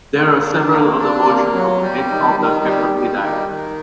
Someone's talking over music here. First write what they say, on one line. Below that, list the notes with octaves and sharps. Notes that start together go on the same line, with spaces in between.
There are several other versions of the myth of the Kekropidai.
A#3
D4
A#3
D4
A#3
F#3
G3
D#3
D#3
G3
G3
D#3
D#3